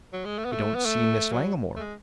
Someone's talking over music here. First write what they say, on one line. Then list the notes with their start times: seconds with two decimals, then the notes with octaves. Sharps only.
"I don't see Miss Langmore."
0.13 F#3
0.25 G#3
0.38 A3
0.45 B3
0.52 A3
0.75 B3
0.86 A3
1.32 F#3
1.76 A3
1.80 G#3